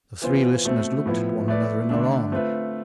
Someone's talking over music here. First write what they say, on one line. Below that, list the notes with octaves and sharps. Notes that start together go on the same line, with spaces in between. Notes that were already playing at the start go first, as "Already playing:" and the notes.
The three listeners looked at one another in alarm.
E3 B3 F4 C5
B2 A3 C4
A2 F3 B3 E4
A3 E4 B4 D5
D3 A3 D4
A3 C4 F4 B4 E5